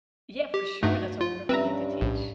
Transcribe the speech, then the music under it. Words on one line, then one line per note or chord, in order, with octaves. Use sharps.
Yeah, for sure, that's a wonderful thing to teach,
G4
G2 A3 D#4 F#4
F4
G2 G3 C4 C#4 B4 E5 A#5
A#1 A2